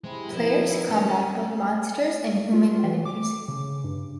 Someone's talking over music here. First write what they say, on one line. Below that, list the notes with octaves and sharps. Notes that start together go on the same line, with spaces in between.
Players combat both monsters and human enemies.
C3 G#3 E4
B2 D#3 F3 E4
C#4
F4
E3
D6
C#3
G2